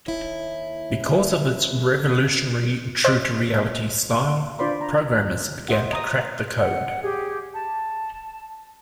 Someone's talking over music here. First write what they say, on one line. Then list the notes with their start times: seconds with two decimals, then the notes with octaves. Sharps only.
Because of its revolutionary true-to-reality style, programmers began to crack the code.
0.06 D#2 E4
3.05 C5 D#5 D6 F#6
4.59 D4 F4 C5 D5 B5 C6
4.81 A#5
5.68 C5 D#5 E5 F#5
5.91 D#5 A#5 D#6
6.59 F#5
7.02 G4 G#4
7.53 A5